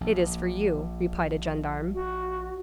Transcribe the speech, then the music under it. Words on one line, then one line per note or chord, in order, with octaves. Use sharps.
"It is for you," replied a gendarme.
A#1
F#4